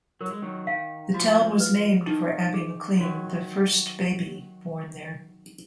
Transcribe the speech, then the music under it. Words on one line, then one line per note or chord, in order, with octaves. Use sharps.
The town was named for Abby McLean, the first baby born there.
F#3 A#4
G#3
D#3 F#3
D#3 F5
F3 F#4
B4
D#3 D#4
G#4
F3
D#3 F#3 F#4